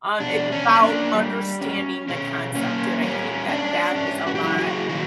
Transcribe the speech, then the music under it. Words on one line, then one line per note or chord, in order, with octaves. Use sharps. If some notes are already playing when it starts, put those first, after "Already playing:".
Um, it's about understanding the concept, and I think that that is a lot
B2 D4
C#4
A#3
D4
G3
C#4
B2 C#4
A#3 C#4
G3 C#4
C#4 D4
G#2 C#4
F#4
G4
F#3 E4 F#4
F#4 G#4
D#3 E4 F#4